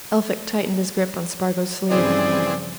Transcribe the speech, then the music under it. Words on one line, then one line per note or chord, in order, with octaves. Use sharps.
Elphick tightened his grip on Spargo's sleeve.
G2 C#3 E3 F3 C4 G#4 D5